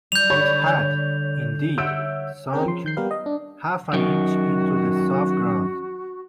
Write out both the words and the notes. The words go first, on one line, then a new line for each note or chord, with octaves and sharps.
It had, indeed, sunk half an inch into the soft ground.
G3 G6 F7
D3 C#5 D5 B5
C#5 E5 F#5 E6 G6 D7
C4 C#4 G#4 A#4 G5
F3 C6
D#3 G6 C7
G3 B3 G4 A#4 B4 F5
D#5
D4
F#2 D#3 F#4